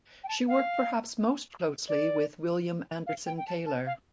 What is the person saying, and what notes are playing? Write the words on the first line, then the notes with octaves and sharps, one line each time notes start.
She worked perhaps most closely with William Anderson Taylor.
G5
A5
F5
D5
F5
G5
G5
A5
A5
F5